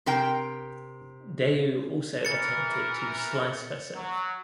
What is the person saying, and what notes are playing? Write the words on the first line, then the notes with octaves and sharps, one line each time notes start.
Dayu also attempted to slice herself.
C3 A#4 G5
E3 A#4 A6 C#7
F#3